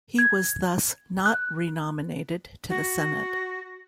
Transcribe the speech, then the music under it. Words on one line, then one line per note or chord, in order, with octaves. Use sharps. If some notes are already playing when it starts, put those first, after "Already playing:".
He was thus not renominated to the Senate.
G#6
F#6
F#4